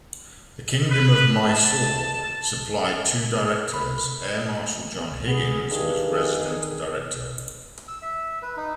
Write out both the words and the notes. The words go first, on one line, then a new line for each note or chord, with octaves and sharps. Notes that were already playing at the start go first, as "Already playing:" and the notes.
The Kingdom of Mysore supplied two directors, Air Marshal John Higgins was resident director.
B4
A5
B5
B3 G#4
G2 D#3 G#4
G#4
E6
E5
B4
D#4